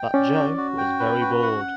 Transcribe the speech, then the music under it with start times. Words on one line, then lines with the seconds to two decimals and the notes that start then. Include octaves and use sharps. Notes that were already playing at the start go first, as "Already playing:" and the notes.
But Joe was very bored.
Already playing: G5
0.14 C#4 D5
0.35 F#4
0.57 F#4
0.78 G5
1.00 B4
1.21 F#4
1.43 F#5